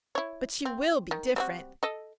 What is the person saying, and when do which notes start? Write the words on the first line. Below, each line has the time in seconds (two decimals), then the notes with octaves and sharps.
But she will be different.
0.15 E4 C#5
0.65 C4
1.11 D#3
1.36 G3 C4 F#4
1.83 A4 D#5